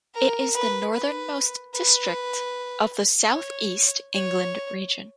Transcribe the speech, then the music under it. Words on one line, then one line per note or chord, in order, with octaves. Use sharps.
It is the northernmost district of the South East England Region.
A#4
B4
B4
B4
C#5
C#5